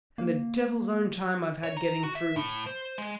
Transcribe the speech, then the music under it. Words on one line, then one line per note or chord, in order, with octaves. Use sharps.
And the devil's own time I've had getting through.
A#3
C#5
A#5
F#4
E5
A2
C5
G#3